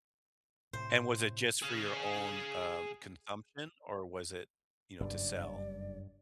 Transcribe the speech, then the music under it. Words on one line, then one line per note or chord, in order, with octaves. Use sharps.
And was it just for your own, uh, consumption or was it, you know, to sell?
A2 C3 C5
G#4 F5
F#1 G2 D5